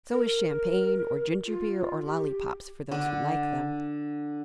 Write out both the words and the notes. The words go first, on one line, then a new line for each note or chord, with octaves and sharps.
So is champagne, or ginger-beer, or lollipops,--for those who like them.
A#4
F4
G4
D3 D4